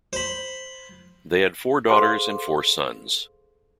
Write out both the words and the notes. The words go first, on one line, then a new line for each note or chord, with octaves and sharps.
They had four daughters and four sons.
C5 B5
G#4 A4 C5 F5 C6 D6